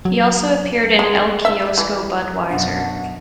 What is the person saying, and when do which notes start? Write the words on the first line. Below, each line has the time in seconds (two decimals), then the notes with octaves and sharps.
He also appeared in "El Kiosko Budweiser".
0.05 F#3
0.99 G#3
1.45 E5
1.78 E3
2.49 F#2 B2 D4 F#5